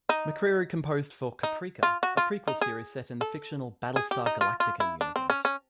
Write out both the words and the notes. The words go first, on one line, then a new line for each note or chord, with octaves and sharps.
McCreary composed for "Caprica", a prequel series set in the fictional "Battlestar Galactica" universe.
D#4
D#4
F4
F#4
F4
D#4
G#4
A4
G#4
G4
D#4
F4
F4
E4
D4
C4
C#4
C#4